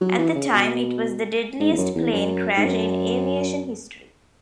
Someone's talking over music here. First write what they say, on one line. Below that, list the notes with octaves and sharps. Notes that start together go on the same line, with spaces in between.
At the time, it was the deadliest plane crash in aviation history.
F#3
E3
C#3
B2
G#2
E2
F#2
E2
F#2
G#2
F#2